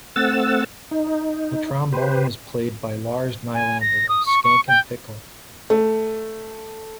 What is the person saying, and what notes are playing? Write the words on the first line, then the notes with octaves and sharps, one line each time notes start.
The trombone is played by Lars Nylander of Skankin' Pickle.
A3 C4 F#5 E6 A6
D#4
G4 B4 C5
G#5
A#6
D#6
C#6
C#6
G5
A3